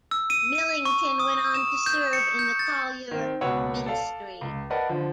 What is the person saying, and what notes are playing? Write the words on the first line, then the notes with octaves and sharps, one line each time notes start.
Millington went on to serve in the Collier Ministry.
E6
D#7
D#7
C#6
D#6
E7
G6
C#7
G6
A6
D#3 C4
C#2 B2 B4 C#5 F#5 E6
A4 D5 F5 A5
C#2
A#4 B4 D5 D#5 F#5 A5
D3 F3